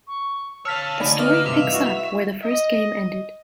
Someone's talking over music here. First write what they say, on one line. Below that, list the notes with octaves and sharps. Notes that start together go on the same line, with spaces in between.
The story picks up where the first game ended.
C#6
C#5 F5 A5 E6 F6 B6
D2 D#4 D5 G#5 B5
A#3 B4 D#5 F5 F6
G2 C3 E5 F7
E4 F#4
D#5